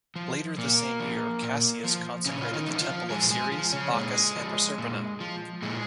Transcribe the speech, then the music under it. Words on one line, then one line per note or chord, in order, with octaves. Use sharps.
Later the same year, Cassius consecrated the temple of Ceres, Bacchus, and Proserpina.
F3
A#2 A#3
F3
A#2
F3
A#2 C#3 C#4
F4
D#3 D#4
F3
F3 F4
A#2 G#3 G#4
G#3 G#4
F3
C#3 C#4
A#2 G#3
F3
A#2
F3
A#2 G#3